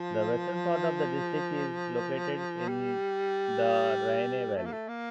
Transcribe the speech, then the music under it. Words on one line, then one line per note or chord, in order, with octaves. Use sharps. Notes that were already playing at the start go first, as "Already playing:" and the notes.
The western part of the district is located in the Rhine valley.
Already playing: F3
G3
A3
A#3
A3
A#3